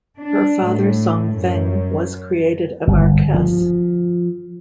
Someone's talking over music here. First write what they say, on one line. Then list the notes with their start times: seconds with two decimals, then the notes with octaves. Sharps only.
Her father Song Feng was created a marquess.
0.18 D4
0.68 A2
1.34 F#2
2.87 G1
3.34 F3